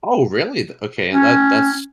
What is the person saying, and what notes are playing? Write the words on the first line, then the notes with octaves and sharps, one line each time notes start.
Oh, really? The Okay, and that that's
C#4